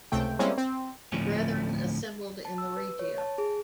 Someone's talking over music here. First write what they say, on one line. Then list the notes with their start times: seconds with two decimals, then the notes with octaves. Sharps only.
The Brethren assembled in the Regia.
0.12 C#2 C3 A3 G5
0.39 G3 G#3 A#3 C4 C#4 E4
0.58 C4
1.12 D2 A2 F3 C4 C#4
2.45 A5
2.58 E6
2.77 B4
2.99 C#5
3.18 A5
3.38 G#4